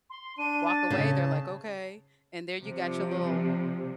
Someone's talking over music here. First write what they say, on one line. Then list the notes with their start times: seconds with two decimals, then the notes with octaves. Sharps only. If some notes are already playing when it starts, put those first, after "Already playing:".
Walk away, they're like, "Okay," and there you got your little
0.10 C6
0.38 D4 D#7
0.68 A6
0.90 C#3 A5
2.59 C3 F3 G3